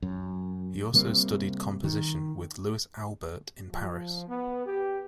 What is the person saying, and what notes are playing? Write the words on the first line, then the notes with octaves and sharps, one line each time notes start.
He also studied composition with Louis Aubert in Paris.
F#2
C3 G3 A#3 C4
D#3
F3
B3
G4